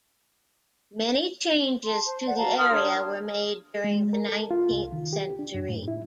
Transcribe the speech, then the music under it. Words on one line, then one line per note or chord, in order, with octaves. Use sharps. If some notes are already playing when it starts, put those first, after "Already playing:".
Many changes to the area were made during the nineteenth century.
A5 C6
C5
D5 F#5
F#4 F5 A5 A#5
A#4 C6 D#6 F6
D4 C#5
G#3
A#4
A4
F4
C2
D#3
G4
D4
F#2
A2
E4